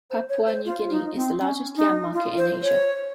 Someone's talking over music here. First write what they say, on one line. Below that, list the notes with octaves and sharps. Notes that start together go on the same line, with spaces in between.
Papua New Guinea is the largest yam market in Asia.
C5
C#5
C5
F4
D#4
C4
C#4
D#4
F4
C5
C#5